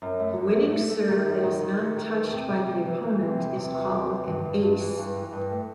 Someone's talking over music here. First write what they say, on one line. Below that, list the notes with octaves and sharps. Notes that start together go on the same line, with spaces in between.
A winning serve that is not touched by the opponent is called an "ace".
F#2
A3
F#2
A3
A3
A3
D#3
F#2
D#3
D#3
A3
D#3
E2
C3
C3
G3
E3
E3
C3
E2
C3
E2
C3
E2
G2
G2
G2
E3
G2
E3
G2
A3